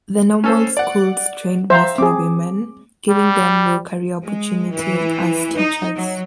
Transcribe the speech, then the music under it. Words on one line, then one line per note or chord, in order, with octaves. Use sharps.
The normal schools trained mostly women, giving them new career opportunities as teachers.
C#4 A4 C5
D5 F#5
C5 E5 F5 A#5
C4 G#4 D6
G3
G#3
E3
D#4
F#3